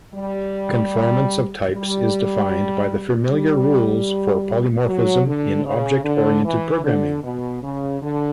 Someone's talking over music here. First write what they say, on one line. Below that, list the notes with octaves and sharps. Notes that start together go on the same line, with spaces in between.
Conformance of types is defined by the familiar rules for polymorphism in object-oriented programming.
G3
G3
G3
F#3
D3
C#3
D3
E3
D3
B2
C#3
D3